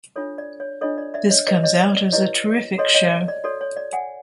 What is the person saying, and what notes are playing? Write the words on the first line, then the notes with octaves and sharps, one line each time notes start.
This comes out as a terrific show.
D4 F4 A4 C#5
D5
C#5
D4 F4 A4 C#5 D#5
D5
D5 E5
C#5 D#5
E4 G4 B4 C#5 D#5
C#5 D#5
D5
D5
E4 G4 B4 C#5 D#5
F#4 A4 C#5 D#5
C#5 D#5
D5
F#4 A4 C#5 D5
C#5
D5
F#5 G#5